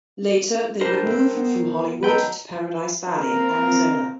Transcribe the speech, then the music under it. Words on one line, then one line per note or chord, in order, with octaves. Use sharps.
Later, they would move from Hollywood to Paradise Valley, Arizona.
G3 D4 G4 A#4 C5
C4 E4
B3
F#3 D#4 A4 B4 G5
A#3 C4 A#4